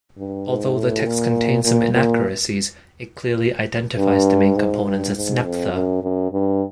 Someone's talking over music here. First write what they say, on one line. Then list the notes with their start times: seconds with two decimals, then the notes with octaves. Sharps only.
Although the text contains some inaccuracies, it clearly identifies the main component as naphtha.
0.17 G2
0.47 G#2
0.76 A2
1.06 A#2
1.63 A#2
1.93 A#2
3.98 G2
4.56 G#2
4.86 G2
5.15 G#2
5.44 F2
5.74 F#2
6.03 F#2
6.32 G2